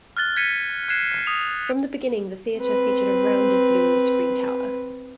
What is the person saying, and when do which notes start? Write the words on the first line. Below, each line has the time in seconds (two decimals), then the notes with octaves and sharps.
From the beginning, the theater featured a rounded blue screentower.
0.17 F6 F#6 A6 G7
0.36 G#6 B6 C#7 D#7
0.89 F#6 G#6 C7 E7
1.27 D#6 F7
2.58 C4 B4